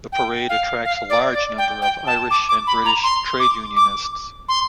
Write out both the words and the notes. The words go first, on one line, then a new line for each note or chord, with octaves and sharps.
The parade attracts a large number of Irish and British trade unionists.
G5
F5
F5
D5
D5
G5
G5
A5
D6
D6
B5
A#5
C6
D6
D6
C6